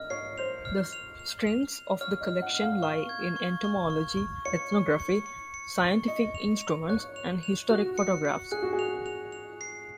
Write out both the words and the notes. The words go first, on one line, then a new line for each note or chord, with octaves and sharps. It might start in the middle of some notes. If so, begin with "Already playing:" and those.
The strengths of the collection lie in entomology, ethnography, scientific instruments, and historic photographs.
Already playing: D#5 F6
C#5 C7
C5 F7
F6
F7
F7
F7
F7
C#5 F6
D#5
F6
F#5
F6
F5
C#6
G#6
C#6
C#6
C#6
C#6
C#5 C#7
C#6
C#7
C#7
C#7
C#6
D#5 C#7
F7
F7
C#5 F#6
F7
F7
F#4 F#6
C#7
C#7
G#4 F#6
F#4
G#4
F7
F7
F7
C7